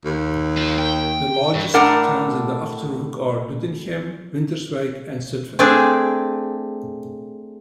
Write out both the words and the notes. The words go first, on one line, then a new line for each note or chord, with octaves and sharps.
The largest towns in the Achterhoek are: Doetinchem, Winterswijk, and Zutphen.
D#2
C5 F5
G5
G2
A2 D4 A#4 F#5 A#5
A3 C4 D4 G#4